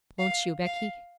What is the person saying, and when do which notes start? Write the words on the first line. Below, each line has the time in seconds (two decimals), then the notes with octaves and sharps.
Won't you, Becky?'
0.19 F5
0.65 F5